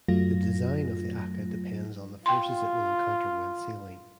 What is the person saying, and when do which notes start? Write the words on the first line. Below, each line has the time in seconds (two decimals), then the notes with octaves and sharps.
The design of the aka depends on the forces it will encounter when sailing.
0.08 F#2 F#3 A3 F4 A#6
2.26 F4 G5 C6